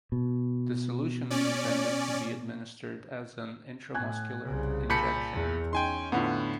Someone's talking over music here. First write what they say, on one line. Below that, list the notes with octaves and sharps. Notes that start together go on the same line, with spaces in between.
The solution is intended to be administered as an intramuscular injection.
B2
C#4 D5
A2 G#5 F#6 G#6
C2 C#3
A#2 A5 B5 G6 B6 C#7
E2
C#4 D#4 G5 G#5 C6
A2 D3 B3 F4